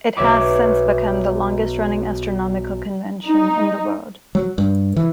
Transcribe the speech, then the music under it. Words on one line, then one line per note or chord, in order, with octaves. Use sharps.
It has since become the longest running astronomical convention in the world.
B1 C#5 E5 D6
D#4
F#3
G2
E3